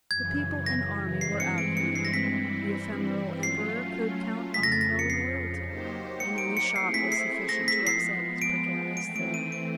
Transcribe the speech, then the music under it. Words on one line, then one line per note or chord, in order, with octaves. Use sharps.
The people and army were out of hand, the ephemeral emperor could count on no loyalty, and any shock was sufficient to upset his precarious throne.
F#2 C#3 E3 G#6
A#6
G2 E3 G#3 C4 C7
C#7
D7
C#7
C7
A#6
B6
G2 E3 G3 C4 E4
F#3 A3 C#4 F4 C7
F2 C#3 F3 B6
A#6
A6
A#6
C#7
C7
F#3 A#3 D#4 G4 C5
C#7
D7
C#7
A3 C4 E4 G#4 C7
B6
C7
A#6
B6
F3 G#3 B3 C7
D7
E3 A3 C4 D7
D7
D#7
D7